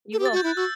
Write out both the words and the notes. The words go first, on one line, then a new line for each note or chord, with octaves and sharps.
You will.
A4
G4
A6
F#4
G6
E4 F#6
F#4 E6